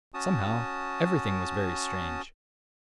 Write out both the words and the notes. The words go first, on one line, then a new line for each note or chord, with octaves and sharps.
Somehow--everything was very strange.
C#4 F#4 A5 D#6